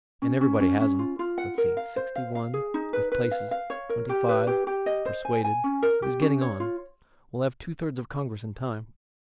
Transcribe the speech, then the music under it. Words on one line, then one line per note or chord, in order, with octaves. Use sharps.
And everybody has 'em. . . .Let's see: . . . sixty-one. . . . with places . . . twenty-five . . . persuaded--it is getting on; . . . . we'll have two-thirds of Congress in time . . .
C#4
C#4
C#4
C#4
F4
F4
F#5
A#4
F5
C5
F5
F5
G#4
D#4
B4
B4
F5
F5
C#5
A#4
G4
B4
G4
G4
D#5
C5
G#5
G#5
C#4
A#4
G4
C#4
C#5
F4